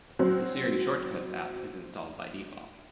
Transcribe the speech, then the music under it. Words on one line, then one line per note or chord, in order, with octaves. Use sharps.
The Siri Shortcuts app is installed by default.
F#3 C4 C#4